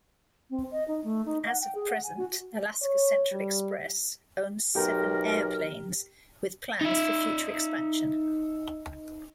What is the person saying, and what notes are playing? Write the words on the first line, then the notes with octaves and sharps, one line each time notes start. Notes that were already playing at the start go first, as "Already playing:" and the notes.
As of present, Alaska Central Express owns seven airplanes with plans for future expansion.
C4
D#5
D#4
A3
D#4
F#5
G5
G#4
F#5
G#5
F#4
C#5
G3
B1 G4 A#4 G5 A#5
D#4 E5